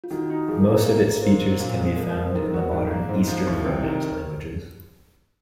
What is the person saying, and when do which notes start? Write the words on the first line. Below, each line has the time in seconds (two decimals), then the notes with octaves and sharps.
Most of its features can be found in the modern Eastern Romance languages.
0.04 F4
0.11 D#3 F#4
0.30 D#4
0.48 F3 G#4
0.60 A#4
0.67 A#3 G#4
0.85 A#3
1.04 A#3
1.15 A#4
1.22 A#3 C5
1.42 F#3
1.60 A#2
1.79 G#3
1.97 F3 A#4
2.16 F3
2.28 C5
2.35 D#3 A#4
2.54 F#4
2.72 G#2
2.91 A#3
3.09 G#2 C5
3.28 F3
3.47 C2
3.65 C3
3.83 D#3 A#4